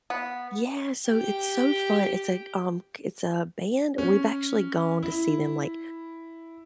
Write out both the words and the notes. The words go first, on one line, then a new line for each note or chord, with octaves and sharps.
Yeah, so it's so fun, it's like, um, it's a band. We've actually gone to see them like
B3
G4 G5
C#4
E4